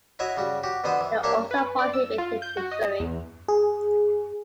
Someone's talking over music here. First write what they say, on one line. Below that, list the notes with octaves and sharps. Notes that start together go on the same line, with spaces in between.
They also prohibited usury.
E4 F#4 C#5 D#5 E5
C#3 G3 F#4
F#4 G4
B2 D3 B3 C5 D#6
E3
A#3 D4 G4 A4 C#5 A5
B4
D5
E6
F4
G6
F#4
D#5
E2
G#4